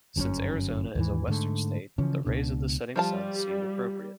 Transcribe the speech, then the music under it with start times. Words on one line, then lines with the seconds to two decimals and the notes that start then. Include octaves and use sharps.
Since Arizona is a western state, the rays of the setting sun seemed appropriate.
0.16 G1 F#2 B2 C#4
0.95 D#2 G#2 E3
1.27 G#2 D3 A3
1.98 C#3 E3 F3 C#4
2.25 C#2 B2 D4
2.96 F3 G3 F4 A5